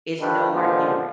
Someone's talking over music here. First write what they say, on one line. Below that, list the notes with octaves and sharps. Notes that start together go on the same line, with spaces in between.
is nowhere near it.
D3 D#3 F3 G3 D4 B4
A#2 D3 F3 G3 G#3 B3